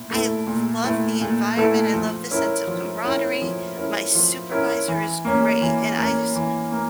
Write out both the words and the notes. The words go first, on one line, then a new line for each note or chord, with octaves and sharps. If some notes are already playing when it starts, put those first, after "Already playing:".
I love the environment, I love the sense of camaraderie, my supervisor is great, and I just
Already playing: A#2 E4
A3 E4 A4
A#2
A3 E4 A4
A#2
A3 E4 A4
F3
C#4 E4 A#4
F3
C#4 E4 A#4
F3
C#4 E4 A#4
F3
C#4 E4 A#4
E3
A#3 C#4
E3
A#3 C#4
E3
A#3